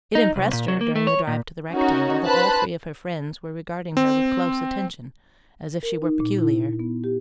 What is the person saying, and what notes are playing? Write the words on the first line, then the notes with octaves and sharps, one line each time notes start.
It impressed her during the drive to the Rectangle that all three of her friends were regarding her with close attention as if she were peculiar.
D#4
C2
A#2
F#3
A#3
A3
C#5
A#2
C#4 D#4 F#4 A#4
B4 C5 A5 B5 F#6
C4
A#4
D#4
A#2
E4
B3
G4